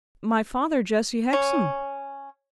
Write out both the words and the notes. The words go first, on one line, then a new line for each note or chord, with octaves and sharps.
'My father, Jesse Hexam.'
C#4